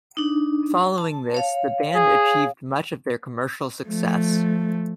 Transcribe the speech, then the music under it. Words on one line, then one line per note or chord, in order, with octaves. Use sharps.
Following this the band achieved much of their commercial success.
D4 D#4
A5
C#5 F5
G#4
F3 A3